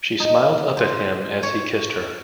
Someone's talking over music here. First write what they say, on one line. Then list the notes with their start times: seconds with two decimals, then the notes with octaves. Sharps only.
She smiled up at him as he kissed her.
0.20 D#4
0.77 C5
1.43 C#5